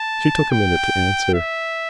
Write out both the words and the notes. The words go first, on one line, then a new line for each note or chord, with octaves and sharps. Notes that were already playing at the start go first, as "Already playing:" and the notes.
She took a minute to answer.
Already playing: A5
G5
E5